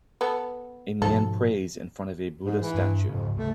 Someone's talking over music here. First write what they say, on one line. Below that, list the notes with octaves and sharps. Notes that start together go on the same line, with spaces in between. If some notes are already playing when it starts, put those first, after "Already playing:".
A man prays in front of a Buddha statue.
B3 A4
G#2 B2 F3 A4
G#2
E3
G2 D4
F2 G#2 C#3
D1 G#1 C#3 A3